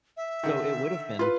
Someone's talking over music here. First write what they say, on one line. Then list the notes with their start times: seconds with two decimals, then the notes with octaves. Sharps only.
so, it would've been
0.17 E5
0.43 D3 D#3
1.19 F4 B4